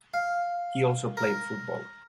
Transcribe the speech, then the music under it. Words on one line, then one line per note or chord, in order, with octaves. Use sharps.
He also played football.
F5
A#4